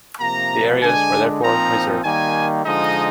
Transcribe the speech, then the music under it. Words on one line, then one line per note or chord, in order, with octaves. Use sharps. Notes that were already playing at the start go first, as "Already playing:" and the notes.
The areas were therefore reserved.
C3 F3 A#3 A#5
D3 G#3 D4 G#5
A#2 F3 C4 D#4 A#5
D#3 G3 A#3 G#5
D3 F3 G#3 D#4 D#5